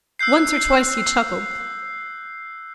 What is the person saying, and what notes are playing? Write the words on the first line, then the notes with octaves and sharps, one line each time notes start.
Once or twice he chuckled.
E6 F#6 G6 C7